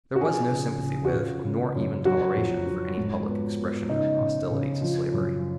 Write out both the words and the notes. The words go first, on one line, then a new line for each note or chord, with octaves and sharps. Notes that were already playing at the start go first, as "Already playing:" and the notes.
There was no sympathy with nor even toleration for any public expression of hostility to slavery.
F#4
F3 G#4
C#3
C#3
F#4
C#3 F4
C#3
F#2
F#3 F#4
F2
F#3
G#2
B3
B3
C#3 D#4
C#3
C#3
F3
F#2